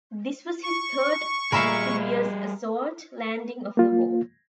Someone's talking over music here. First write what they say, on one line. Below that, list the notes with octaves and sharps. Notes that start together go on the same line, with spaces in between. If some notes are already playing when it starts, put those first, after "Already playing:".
This was his third amphibious assault landing of the war.
C#6
A#2 G3 G#4 A#4 E5 F5 A#5 B5
A#3 F4